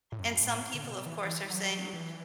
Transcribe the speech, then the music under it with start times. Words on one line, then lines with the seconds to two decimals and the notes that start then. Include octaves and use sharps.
and some people, of course, are saying,
0.12 A2
0.19 F#2
0.41 A2
0.62 A2
0.74 D3
0.84 B2
1.06 E3
1.50 F#3
1.93 E3